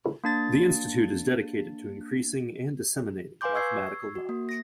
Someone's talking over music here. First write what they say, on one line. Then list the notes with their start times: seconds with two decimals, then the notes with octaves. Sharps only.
The institute is dedicated to increasing and disseminating mathematical knowledge.
0.24 A#3 D4 A6
3.41 B4 F5 G#5 C6 D6 G6
3.55 C#6 E6 G#6 C7
4.15 F#4
4.29 A#3
4.49 A#6